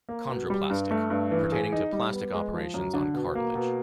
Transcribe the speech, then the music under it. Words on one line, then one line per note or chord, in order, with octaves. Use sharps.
"Chondroplastic" - pertaining to plastic operations on cartilage.
A#3
B2
G3
G2
A3
G2
E3
G#4
D#4
G3
B3
G#3
F3
F#2
D3
B2
A#3
B2